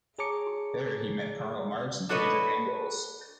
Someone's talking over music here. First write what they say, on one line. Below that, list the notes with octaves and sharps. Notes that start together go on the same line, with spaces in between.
There he met Karl Marx and Friedrich Engels.
G#4 C#5 A5 A#5 D6 C#7
D4 F#4 A4 B4 C#5 D#5